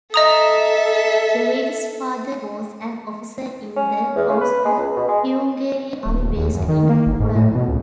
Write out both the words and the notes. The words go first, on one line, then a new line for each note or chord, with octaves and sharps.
Geidl's father was an officer in the Austro-Hungarian Army based in Kotor.
A4 D#5 E5 A#5 D#6
C#4
E2
C#3
B4
G#3
C#2
B2
G#3
D1
D#1
D#2
F#2
D#3
A#3
G1
G#2
A2
B2
C#2